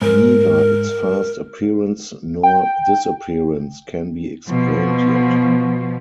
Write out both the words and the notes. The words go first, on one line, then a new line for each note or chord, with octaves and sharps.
Neither its fast appearance nor disappearance can be explained yet.
G#2 A#4
G5
B2 F3